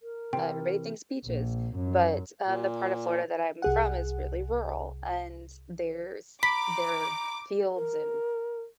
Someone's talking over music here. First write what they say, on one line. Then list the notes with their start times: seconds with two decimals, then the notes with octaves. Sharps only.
everybody thinks "beaches," but, um, the part of Florida that I'm from is really rural, and there's there fields and
0.02 A#4
0.33 C3 E3 G5
1.25 A#1
1.76 F#2
2.46 A#2
3.62 C2 G#4 F#5
6.43 A#5 B5 D6 B6
7.76 A#4